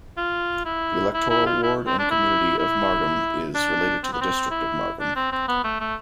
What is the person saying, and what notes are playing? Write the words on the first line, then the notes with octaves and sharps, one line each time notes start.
The electoral ward and community of Margam is related to the district of Margam.
F4
E4
E4
E4
F4
E4
C4
D4
E4
E4
D4
C4
B3
C4
E4
D4
C4
C4
B3
A3
A3